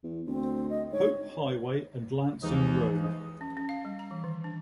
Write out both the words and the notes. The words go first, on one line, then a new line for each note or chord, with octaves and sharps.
Hope Highway and Lansing Road.
E2
D2 C4
D#5
G#2 C#5
D#2 E3 F3 G#3 D#4 G#4
C#4
C#4
F5
G3
A#5
E3
D#3
D4